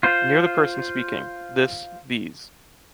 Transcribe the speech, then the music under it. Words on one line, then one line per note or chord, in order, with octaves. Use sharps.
Near the person speaking: “this”, “these”.
F4 C5